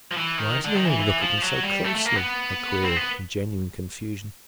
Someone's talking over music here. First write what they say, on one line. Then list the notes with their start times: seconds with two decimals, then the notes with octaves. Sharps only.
"Why do they all look at me so closely?" I queried, in genuine confusion.
0.12 F3
0.17 E3
0.38 D#3
0.65 D3
0.76 D#3
0.86 E3
1.01 E3
1.21 F3
1.43 F#3
1.63 G3
1.84 A3
1.95 A3
2.05 A#3
2.16 B3
2.84 C4
2.97 B3